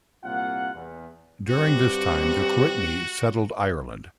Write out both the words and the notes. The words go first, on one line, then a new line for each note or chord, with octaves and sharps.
During this time the Cruithne settled in Ireland.
C2 A#2 A#3 F4 F#5
E2
G2 C4 F#4 G4